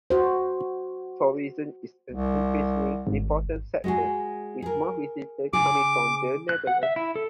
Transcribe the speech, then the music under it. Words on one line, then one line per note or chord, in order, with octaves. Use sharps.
Tourism is an increasingly important sector, with most visitors coming from the Netherlands.
F#4 C5
C2
G#1
G#3 F#4 G#4
G#4 A#4
C#3 G#4 D6
F#6
F#5
E5
E4
A4